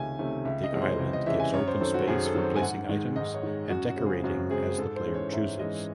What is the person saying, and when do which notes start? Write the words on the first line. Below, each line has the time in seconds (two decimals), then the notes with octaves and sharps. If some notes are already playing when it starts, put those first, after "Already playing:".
The island gives open space for placing items and decorating as the player chooses.
Already playing: C#2 C3 D#3 A3 C#4 G#5
0.19 C3 D#3 A3 C#4
0.45 C#2 E5
0.63 D#5
0.72 C3 E3 G#3 C#4
0.82 C5
0.99 C#2
1.13 D#5
1.26 C3 E3 G#3 C#4 E5
1.40 G#5
1.54 F#2 C#5
1.68 C5
1.80 D#3 F#3 C4 A4
1.94 F#4
2.08 F#2 G#4
2.25 A4
2.35 D#3 F#3 C4
2.43 C5
2.56 G#5
2.62 G#2 F#5
2.89 D#3 G#3
3.16 G#2 D#5
3.34 C#5
3.43 D#3 G#3
3.70 F#2 F#4
3.89 F#4
3.96 C#3 G#3 C4
4.06 G#4
4.24 F#2 F#4
4.51 C#3 G#3 C4 G#4
4.78 G#2 A4
4.96 C5
5.05 E3 G#3 C#4
5.14 C#5
5.32 G#2 E5
5.59 E3 G#3 C#4 D#5